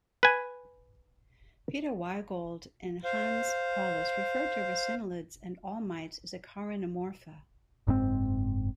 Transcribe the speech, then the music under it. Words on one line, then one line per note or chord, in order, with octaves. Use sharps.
Peter Weygoldt and Hannes Paulus referred to ricinuleids and all mites as "Acarinomorpha".
B4 G#5
C5 F5
F#1 G#2 C3 C4